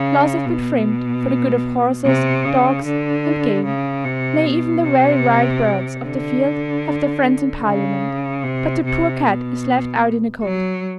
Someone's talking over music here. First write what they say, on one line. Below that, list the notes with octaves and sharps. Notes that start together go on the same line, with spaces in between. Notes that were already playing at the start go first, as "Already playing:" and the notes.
Laws have been framed for the good of horses, dogs, and game; nay, even the very wild birds of the field have their friends in Parliament; but the poor cat is left out in the cold.
Already playing: C#3
B2
C3
C#3
D3
C#3
C3
B2
C3
D3
C#3
C3
C3
B2
F#3